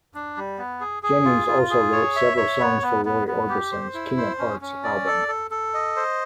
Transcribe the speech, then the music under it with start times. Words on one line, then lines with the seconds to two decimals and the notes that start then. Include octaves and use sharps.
Jennings also wrote several songs for Roy Orbison's "King Of Hearts" album.
0.15 D4
0.37 G3
0.58 B3
0.81 G#4
1.03 G#4
1.25 F4
1.48 F4
1.70 G#4
1.93 C#5
2.16 E5
2.37 C#5
2.60 B3
2.82 B3
3.05 B3
3.28 B3
3.49 G4
3.72 C5
3.94 E4
4.17 C5
4.39 C#4
4.61 C#4
4.84 D5
5.06 A4
5.28 A4
5.51 A4
5.74 D#5
5.96 C5